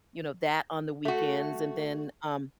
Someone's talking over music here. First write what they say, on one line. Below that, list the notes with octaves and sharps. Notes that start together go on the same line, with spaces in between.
you know, that on the weekends, and then, um
A3 F#4